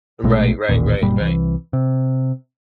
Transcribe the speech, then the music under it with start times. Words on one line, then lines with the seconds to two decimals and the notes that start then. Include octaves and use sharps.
Right, right, right, right.
0.24 A#1 B2 G#3 A3
0.69 A1 D#2 A#2
1.02 F#1 A#2 G3
1.19 C2 E3
1.73 C3